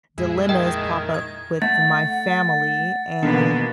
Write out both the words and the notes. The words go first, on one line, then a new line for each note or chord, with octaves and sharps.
dilemmas pop up with my family, and
F2 A#2 G#3 E4
D#3 D#5 G5
G#6
A3 E5 F#5 A6
E2 B2 D3 A#3 B3 D#4